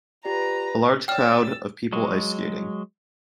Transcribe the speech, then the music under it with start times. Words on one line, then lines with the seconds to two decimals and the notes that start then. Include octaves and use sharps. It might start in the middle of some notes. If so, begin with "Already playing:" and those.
A large crowd of people ice skating.
0.25 F4 G4 B4 D5 A#5
1.08 C#5 D5 G5 E6 F6 A6
1.92 F#3 G#3